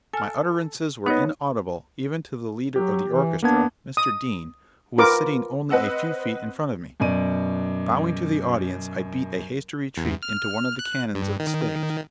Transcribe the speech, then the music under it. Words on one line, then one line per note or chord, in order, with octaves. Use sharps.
My utterances were inaudible even to the leader of the orchestra, Mr. Dean, who was sitting only a few feet in front of me. Bowing to the audience, I beat a hasty retreat into one of the canons of the stage.
A4 G#5 F6
B3 D#4 C#5 D#5
F#3 G4
E3
A#3 B3 D4 G#6
D#6
F4 A#4 B4 D6
C4 B4 D#5 F#5 E6
F#2 B2 D5 D#7
E2
F6
F#6
G2
D#3